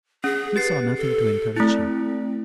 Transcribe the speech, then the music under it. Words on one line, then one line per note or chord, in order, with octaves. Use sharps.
He saw nothing to encourage him.
C#4 G#4
G4 B4 A6 C7
A4
A3 C4 E4